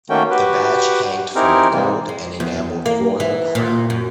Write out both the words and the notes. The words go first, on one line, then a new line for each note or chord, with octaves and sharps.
The badge hanged from a gold and enamelled royal crown.
D#3 A3 A#3 C#4 F#4 G5
F#4 G4 B4
C4 D#4 E4 G4 G#4 A#4
C3 E3 G3 G#3 A#3
G#3
E2
A#3
E3
A#2
F#2